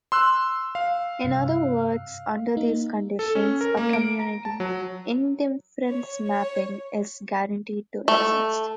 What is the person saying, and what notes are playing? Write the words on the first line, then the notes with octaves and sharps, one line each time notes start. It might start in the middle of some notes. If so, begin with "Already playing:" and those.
In other words, under these conditions a community indifference mapping is guaranteed to exist.
C6 E6 F#6
F5
G2 C3
A#3 D#4
A4
C#4
A#4
A#3
D7
A#5
A5
F#3
C#5
C#5
A3